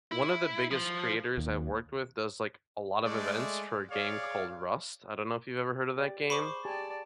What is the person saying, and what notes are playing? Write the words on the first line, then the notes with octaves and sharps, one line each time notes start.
one of the biggest creators I worked with does, like, a lot of events for a game called Rust, I don't know if you've ever heard of that game?
E4
F3
D#2
G#3 A3 D5
G#4 C#5 D5 F5
G4 D5
G#4 C5 B5 C#6 D6
G4 G#4 D5 G#5 A5